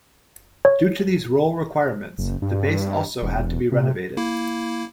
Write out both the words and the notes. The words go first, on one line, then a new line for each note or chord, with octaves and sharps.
Due to these role requirements, the base also had to be renovated.
C#5
F#1
G2
E1
C3
A#3 E4